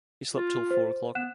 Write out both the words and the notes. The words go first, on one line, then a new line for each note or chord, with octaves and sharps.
He slept till four o’clock.
F4
C5
B3 F#5 F#6 E7